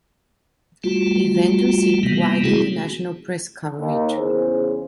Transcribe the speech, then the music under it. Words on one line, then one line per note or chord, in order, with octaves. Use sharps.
The event received wide international press coverage.
G3 A3 F4 F#4
C3 D#3 E3 G3 A#3 B3
G#3 A3 C4 E4 F#4 G#4
D#2
E2 C#3 G#4 C5